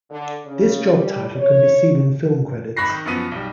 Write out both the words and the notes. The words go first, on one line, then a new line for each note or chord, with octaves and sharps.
This job title can be seen in film credits.
D3
C#3
G3
C#5
G#1 B5 C#6 F#6 A#6 C7
D#3
F#2 F3 B3 D#7
B1 G3